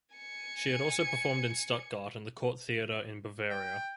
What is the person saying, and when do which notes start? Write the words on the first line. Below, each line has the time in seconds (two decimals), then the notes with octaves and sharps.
She had also performed in Stuttgart and the court theatre in Bavaria.
0.15 G#5 C#7
3.50 G5